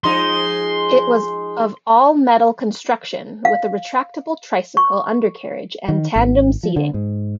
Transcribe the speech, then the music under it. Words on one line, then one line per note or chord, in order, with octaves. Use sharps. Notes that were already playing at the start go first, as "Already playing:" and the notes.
It was of all-metal construction with a retractable tricycle undercarriage and tandem seating.
F3 G#3 D#4 C6
F5
C#6
D#3
G#1
F3
D3
G#2